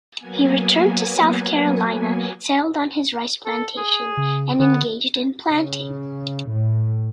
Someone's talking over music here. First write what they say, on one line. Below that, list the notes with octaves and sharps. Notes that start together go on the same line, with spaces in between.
He returned to South Carolina, settled on his rice plantation, and engaged in planting.
F#3 A#3 B3 G#5
A4
G#4
C#3
D3 B3
C#3
A2